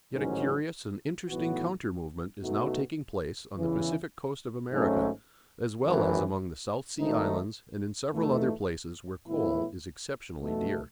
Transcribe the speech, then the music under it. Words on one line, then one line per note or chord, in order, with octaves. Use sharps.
Yet a curious and interesting counter movement is now taking place on the Pacific Coast of America, as well as among the South Sea Islands and in several other places where coal is exceptionally dear.
A1 G#2 D#3 F#3 C#4
B1 A2 E3 B3 F#4
B2 A3 D#4 F#4
E2 C#3 E3
G#1 G#2 F#3 A3 C#4
G#1 F#2 E3
G#1 G#2 D#3 A3 D#4
E2 B2 A3 D#4
A2 E3 B3 E4
B1 B2 A3